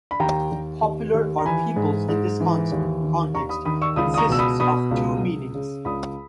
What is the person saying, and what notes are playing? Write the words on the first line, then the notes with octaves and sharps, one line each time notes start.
"Popular" or "people's" in this context consists of two meanings.
B5
D#2 G5 A#5
D#2
D#2
D#2
A#5
E3 G#5 B5
G#2
G#2
E3
D#2
D#3
D#2 A#5 C#6
B5 D#6
D#3 B5 D#6
C#6 E6
C#2 B5 D#6
D#6
A#5 C#6
B2 E6
B5 D#6
B2 B5 D#6
C#2
C#2
C#3
C#2 B5 D#6